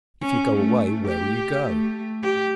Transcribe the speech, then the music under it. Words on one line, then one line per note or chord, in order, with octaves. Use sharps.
If you go away, where will you go?
C#4
A3
G4
A3
G4